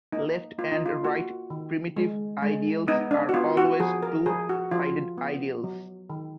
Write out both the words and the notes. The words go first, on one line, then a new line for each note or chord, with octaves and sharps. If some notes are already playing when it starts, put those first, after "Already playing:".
Left and right primitive ideals are always two-sided ideals.
A#3 D#4
A#3 F4
D#4
F4
A#3 F#4
D#3
G#3
G#3
B3 D#4
D4
F#4
B3 F4
F#4
F3 G#4
A#4
F3 G#4
F#4
F3 F4
B3
F#3
D#3